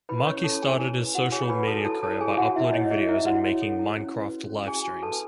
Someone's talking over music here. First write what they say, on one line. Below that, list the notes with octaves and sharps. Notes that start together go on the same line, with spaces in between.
Marki started his social media career by uploading videos and making "Minecraft" livestreams.
E4 B4 B5
C#4 C#5 C#6
C#4 A4 A5
G#4 G#5
E4
B4
F#4 F#5
G#4 C#5 G#5
A4 B4 B5
F#4 A4 A5
E4 A4 A5
A4 C#5 A5
G#4 A4 G#5
E4 F#4 F#5
E4 E5
C#5 D#5
G#4 D#5
E4 E5
E4 F#4 F#5
C#5
A4
E4
C#4
B4
F#4
C#4
F#4 G#4 G#5
F#4
A4 B4 A5